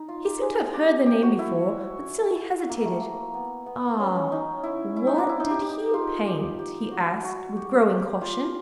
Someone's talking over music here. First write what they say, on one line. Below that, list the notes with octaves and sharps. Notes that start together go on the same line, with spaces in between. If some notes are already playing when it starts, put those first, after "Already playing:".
He seemed to have heard the name before, but still he hesitated. 'Ah--what did he paint?' he asked, with growing caution.
Already playing: D#4
F4
G4
G#4
G4
G4
F#4
E4
A#3
A3
A#3
B3
B3
C#4
C#4
D#4
E4
E4
D#4
D4
E4
D#4
G4
G4
F4
G4
G4
F#4
F#4
G4
G4
F4